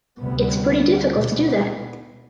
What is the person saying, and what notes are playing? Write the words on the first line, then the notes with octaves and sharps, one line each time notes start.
It’s pretty difficult to do that.
D2 C3 G3 B3
B2 B3